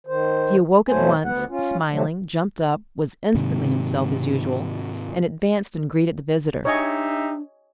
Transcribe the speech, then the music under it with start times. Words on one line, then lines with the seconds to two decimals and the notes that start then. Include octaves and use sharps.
He awoke at once, smiling, jumped up, was instantly himself as usual, and advanced and greeted the visitor.
0.07 D#3 C5
0.89 F2 B2 F#3 A3 C5 G#5
1.24 D2 B3 F#5
1.49 C#4 F4
1.91 C3 F3 F#3 A3
3.34 G#2 C3 D#3
6.65 D4 D#4 G4 C#5 D#5 E5 G#5